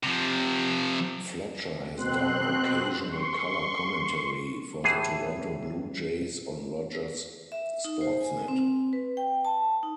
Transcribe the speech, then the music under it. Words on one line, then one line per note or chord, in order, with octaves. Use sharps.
Fletcher has done occasional color commentary for the Toronto Blue Jays on Rogers Sportsnet.
C3 F3
B2 C4 C6 F#6
C6 C#6
A2 E3 G#4 C5
E5
D#4
C5
G#5
C4
B4
G5
A5
D#4